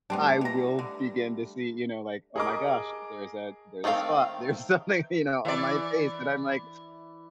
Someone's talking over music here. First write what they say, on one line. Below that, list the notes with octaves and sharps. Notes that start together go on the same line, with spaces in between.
I will begin to see, you know, like, "Oh my gosh, there's a there's a spot, there's something," you know, "on my face," and I'm like,
G3 A3 B3 C4 D4
E3 A#5
D3
G#4 A#4 D#5 A5 D6
D#3 A3 C4 D4 F5
E3 D5